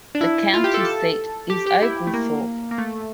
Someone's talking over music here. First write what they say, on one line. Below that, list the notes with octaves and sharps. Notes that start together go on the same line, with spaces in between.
The county seat is Oglethorpe.
D4
E4
F4
G4
A4
A4
G4
G4
E4
A3
A#3
A#3
A3